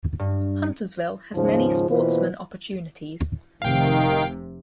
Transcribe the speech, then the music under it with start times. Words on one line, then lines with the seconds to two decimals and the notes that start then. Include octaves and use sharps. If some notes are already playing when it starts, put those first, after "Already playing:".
Huntersville has many sportsman opportunities.
0.19 G2
1.34 D#2 G#2 C#3 F3 F4 C5
1.90 B2 E3 A#3 F4 B4 C5
3.62 F1 C3 D#3 F5 G5